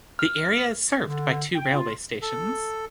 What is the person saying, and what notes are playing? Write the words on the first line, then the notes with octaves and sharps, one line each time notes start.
The area is served by two railway stations.
F6
D3
G5
F4
A4